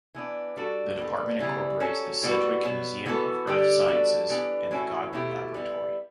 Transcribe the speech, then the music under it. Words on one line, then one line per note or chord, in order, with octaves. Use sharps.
The department incorporates the Sedgwick Museum of Earth Sciences and the Godwin Laboratory.
E3 B3 D4
G3 D4 F#4 A4
A2 G3 B3
C#3 E3 G3 B3
F#3 C#4 F#4 A4
A2 E3 G3 B3 F#4
B2 F#3 B3
E3 B3 F#4 A4
D3 G3 D4 G4
G3 B3 D4 F#4 A4
E3 B3 D4 G4
A2 F#3 C#4 E4
B2 F#3 A3 E4 G4
G3 B3 E4